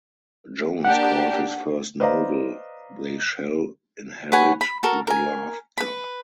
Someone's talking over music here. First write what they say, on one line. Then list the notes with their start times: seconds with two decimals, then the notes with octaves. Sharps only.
Jones called his first novel "They Shall Inherit the Laughter".
0.85 A#3 D4 G4 F#5
2.00 B4 C5 D5 D#5 F5 A#5
4.32 B4 C#5 F#5 G#5
4.61 B5
4.83 F#4 A4 A#4
5.07 A#4 G#5
5.78 B4 B5